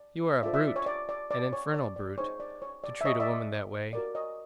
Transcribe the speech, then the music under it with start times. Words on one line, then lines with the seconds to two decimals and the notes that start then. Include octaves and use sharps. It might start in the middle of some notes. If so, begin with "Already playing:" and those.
"You are a brute, an infernal brute, to treat a woman that way."
Already playing: D5
0.43 D4 F4 A4 C5 D5 E5
0.54 D5 E5
0.65 D5
0.76 C#5
0.86 D5
1.09 D5
1.31 D5
1.53 C#5
1.74 D5
1.96 D5
2.18 D#4 G#4 C5 C#5
2.40 D5
2.62 C#5
2.84 D5
3.01 E5
3.05 C#5 D#5
3.20 D5 E5
3.93 F#4 A#4 C#5 D5
4.15 C#5 D#5